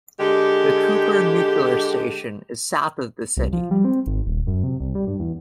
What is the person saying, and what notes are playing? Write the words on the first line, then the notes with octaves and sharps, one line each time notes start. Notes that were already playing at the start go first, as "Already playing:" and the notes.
The Cooper Nuclear Station is south of the city.
D3 G#3 G4
C2
F3
G3
C4
G#1
D#1
F#2
C3
C2
G3
G2
E2